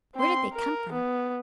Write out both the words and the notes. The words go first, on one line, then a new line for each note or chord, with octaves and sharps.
Where did they come from?
C4 C6
A#4
B3